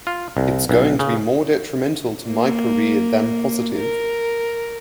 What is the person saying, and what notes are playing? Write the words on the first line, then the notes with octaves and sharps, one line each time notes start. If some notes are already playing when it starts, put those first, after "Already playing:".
It's going to be more detrimental to my career than positive.
F4
C2
B1
C#3
A#3
A#4